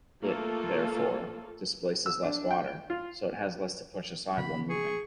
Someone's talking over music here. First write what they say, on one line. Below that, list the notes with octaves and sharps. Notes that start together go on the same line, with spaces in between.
It, therefore, displaces less water, so it has less to push aside while moving.
A3 A#3 F4 A4
E6
D4
G5
F4
C#3 F3 B5
G#4 C#6